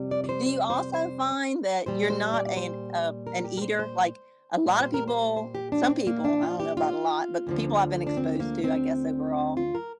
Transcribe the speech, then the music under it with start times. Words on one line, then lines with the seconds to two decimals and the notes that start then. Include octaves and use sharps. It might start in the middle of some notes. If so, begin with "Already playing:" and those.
Do you also find that you're not an, uh an eater? Like, a lotta people some people, I don't know about a lot, but people I've been exposed to, I guess overall,
Already playing: F2 C3 G3
0.11 D5
0.24 D5
0.29 C5
0.46 C5
0.70 C5
0.94 C5
1.86 A#2 G3 C5
2.10 C5
2.34 D5
2.46 D5
2.57 C5
3.27 A#4
3.44 G4
3.57 A#4
3.62 C5
3.79 C5
4.66 A#2 G3 D5
4.80 C5
4.94 A#4
5.08 C5
5.36 C5
5.55 G4
5.72 D4
5.89 C4
6.07 A#3
6.25 D4
6.42 F4
6.60 G4
6.77 F4
7.47 D2 D3 F3
8.07 D4
8.17 C4
8.40 A#3
8.64 C4
9.57 F4
9.75 A#4